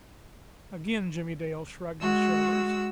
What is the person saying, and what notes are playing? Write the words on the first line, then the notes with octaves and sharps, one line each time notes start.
Again Jimmie Dale shrugged his shoulders.
G#3 F#4 E6